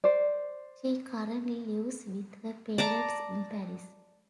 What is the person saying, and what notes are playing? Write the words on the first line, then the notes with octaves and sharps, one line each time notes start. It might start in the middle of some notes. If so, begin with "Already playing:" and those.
She currently lives with her parents in Paris.
C5 D5
D5 A5 A#5